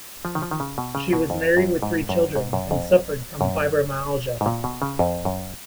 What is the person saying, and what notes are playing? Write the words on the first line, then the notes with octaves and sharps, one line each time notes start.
She was married with three children, and suffered from fibromyalgia.
F3
D#3
F3
D#3
C#3
B2
C#3
B2
F2
F#2
G#2
F#2
G#2
F#2
F2
F#2
G#2
A#2
B2
C#3
F2
F#2